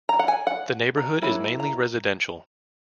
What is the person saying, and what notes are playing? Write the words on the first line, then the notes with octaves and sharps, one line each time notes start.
The neighborhood is mainly residential.
A#5
F#5
G#5
F#5
A#5
F#3 A#3 C#4 E4 B5
A#5